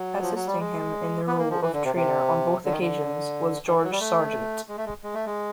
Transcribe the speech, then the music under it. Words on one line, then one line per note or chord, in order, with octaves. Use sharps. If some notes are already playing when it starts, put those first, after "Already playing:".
Assisting him in the role of trainer on both occasions was George Sargeant.
Already playing: F#3
F3
F#3
G3
G#3
B3
A#3
F3
E3
D3
C3
C3
D3
D#3
D3
D#3
E3
F#3
G3
A3
G#3
A3
G#3
G#3
A3
G#3